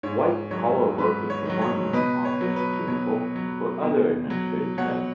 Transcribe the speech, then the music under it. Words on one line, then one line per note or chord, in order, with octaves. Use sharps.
White-collar work is performed in an office, cubicle, or other administrative setting.
G#2 C#5
D#3 F#3 C#5
G#2 B4
C#5
D#3 F#3
C#5
B2 B4 D#5
C#5
F#3
B4
B2 C#5
F#3
B2
F#3
B2 C#5 F#5